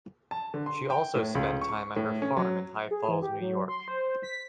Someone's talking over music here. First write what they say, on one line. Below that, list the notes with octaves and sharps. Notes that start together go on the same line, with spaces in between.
She also spent time at her farm in High Falls, New York.
A5
D3
C6
G5
A2
C#2
C#6
A2
C#4
F#3
G#4
E3
G4
F#3
C6
C5
B6